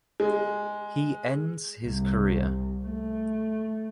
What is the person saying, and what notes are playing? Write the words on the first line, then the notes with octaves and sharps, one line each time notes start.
He ends his career.
G#3
C2
A3